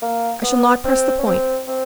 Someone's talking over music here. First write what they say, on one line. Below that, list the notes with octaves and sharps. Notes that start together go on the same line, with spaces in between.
I shall not press the point.
A#3
B3
C4
C#4
C4
C4